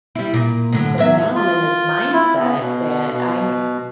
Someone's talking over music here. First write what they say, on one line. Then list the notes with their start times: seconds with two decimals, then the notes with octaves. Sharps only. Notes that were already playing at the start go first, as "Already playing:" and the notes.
So now I'm in this mindset that I'm
0.15 G3 E4
0.33 A#2
0.72 A2 D3 F#3
0.98 E2 F#3 E5
1.35 F4
2.13 E4
2.40 B3
2.59 B2
3.13 B2